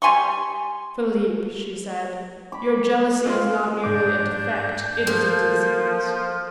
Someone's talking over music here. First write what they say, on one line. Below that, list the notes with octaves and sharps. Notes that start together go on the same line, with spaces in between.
"Philip," she said, "your jealousy is not merely a defect, it is a disease."
G3 G#5 C6 C#6
B5 D6
G#3 C4 F4 F5 C6
G#2 D4 D6 G6
F3 A#3 A4